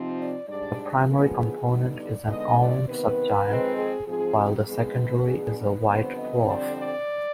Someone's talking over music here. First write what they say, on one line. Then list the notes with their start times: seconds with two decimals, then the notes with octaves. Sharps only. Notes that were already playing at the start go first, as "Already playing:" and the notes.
The primary component is an orange subgiant, while the secondary is a white dwarf.
Already playing: C3 F3 C4 D#4
0.18 D5
0.48 G#2 G3 D4 D5
1.07 D3 F3 B3 G#4
1.67 D3 G3 B3 D#4
1.98 D5
2.27 D3 G#3 B3 D#4 D#5
2.57 D5
2.87 C3 D#3 B3 B4
3.47 F2 D#3 G#3 C4 D#4
3.76 G#4
4.06 G#2 F3 C4 G#4
4.36 G4
4.66 F2 D#3 G#3 B3 G#4
4.96 B4
5.26 B2 B3 D4 G#4
5.56 B4
5.86 F2 D3 G3 B3 C5
6.15 D#5
6.45 F2 D3 G3 C4 D5
6.76 D5